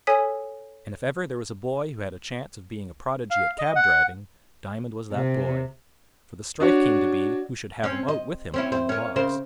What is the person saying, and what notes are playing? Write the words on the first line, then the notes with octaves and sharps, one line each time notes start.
And if ever there was a boy who had a chance of being a prodigy at cab-driving, Diamond was that boy, for the strife came to be who should have him out with him on the box.
A4 C#5 G#5 D#6 B6
F5
D#5
F#5
C3
D4 F#4 C#5
C4 C#4
D#5
C4 C#4 E4
C4
C#4 A#4
C#3 A#4 C5